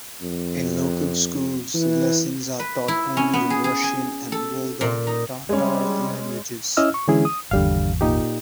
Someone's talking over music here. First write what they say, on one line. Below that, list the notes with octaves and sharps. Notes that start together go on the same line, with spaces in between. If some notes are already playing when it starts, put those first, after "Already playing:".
In local schools the lessons are taught only in Russian and Volga Tatar languages.
F2
E3
B4
E4
C#4
B3
G#4
G#4
G#5
A4
A#2
D#4
G3 G#3 C#4
C#4 E4 D#5 E6 F6
C#6
D3 E3 G#3 C#4 E4 G#4
D#6
G#1 E2 D3 G3 F5
A#2 D#4 G4